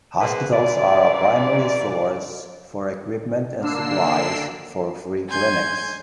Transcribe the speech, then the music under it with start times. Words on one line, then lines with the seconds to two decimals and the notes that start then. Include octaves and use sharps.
Hospitals are a primary source for equipment and supplies for free clinics.
0.21 A#3 B3 G#4 B4 C5
0.51 G#2 E3 D5
3.60 D3 A#3 D4 E6 C7
5.29 G#5 C6 G6 G#6